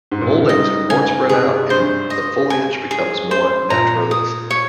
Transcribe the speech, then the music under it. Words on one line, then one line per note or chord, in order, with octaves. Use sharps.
Mouldings are more spread out and the foliage becomes more naturalistic.
G#2
A#2
C3
C#3
D#3 D#5
C#3 G#5
C3 G#4
G2 C5
D#5
G#5
G#4
C5
A#2 A#5
D#6
C#5